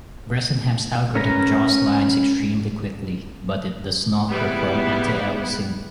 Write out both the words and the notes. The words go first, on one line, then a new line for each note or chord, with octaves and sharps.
Bresenham's algorithm draws lines extremely quickly, but it does not perform anti-aliasing.
C#4 A#4 B4 A#5
F2 G#2 G3 G#3 B3 E4